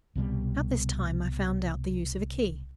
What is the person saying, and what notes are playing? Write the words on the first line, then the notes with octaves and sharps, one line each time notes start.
About this time I found out the use of a key.
C2 B2 F3 G3